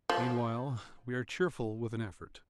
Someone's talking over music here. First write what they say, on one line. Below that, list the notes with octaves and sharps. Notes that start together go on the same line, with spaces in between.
Meanwhile we are cheerful with an effort.
F3